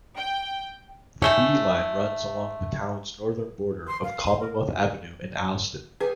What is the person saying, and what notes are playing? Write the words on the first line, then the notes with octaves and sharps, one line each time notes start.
The B line runs along the town's northern border of Commonwealth Avenue in Allston.
G5
D#3 A3 C#4
C6
F5
C6
A#4
G3 G#4 B4